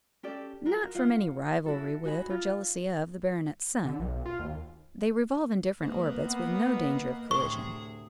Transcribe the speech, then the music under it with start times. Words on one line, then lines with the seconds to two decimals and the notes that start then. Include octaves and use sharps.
Not from any rivalry with, or jealousy of, the baronet's son: they revolve in different orbits, with no danger of collision.
0.23 C#4 G4 A4 D5
0.65 F4 F#4 A#4
0.95 F4 F5 F#5
1.66 E4 F#4 A4
2.03 D#4 F#4 G#4 B5
2.29 D#4 F4
3.86 D3
4.00 B1
4.26 F4
4.39 D#2
5.81 G#2 A#3 B4 D#5
6.25 B3
7.31 D2 A2 C3 G#4 C#6